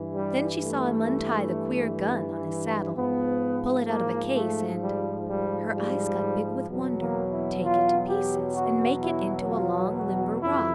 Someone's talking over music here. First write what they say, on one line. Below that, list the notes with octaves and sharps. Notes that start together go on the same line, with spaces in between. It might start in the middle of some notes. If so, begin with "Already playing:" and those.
Then she saw him untie the queer "gun" on his saddle, pull it out of a case and--her eyes got big with wonder--take it to pieces and make it into a long limber rod.
Already playing: G2 E3
G3
A3
G#2 F3 B3
A#3
A3
G3
G3
G3
E2 B2 F#3
A#3
E4
F4
G4
F#4
E4
F4
F#4
F2 C3 E3 E4